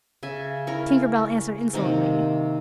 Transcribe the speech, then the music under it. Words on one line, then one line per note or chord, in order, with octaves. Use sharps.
Tinker Bell answered insolently.
C#3 E5 G#5
C#4 E4 A#4
C3 D#3 A#3 C4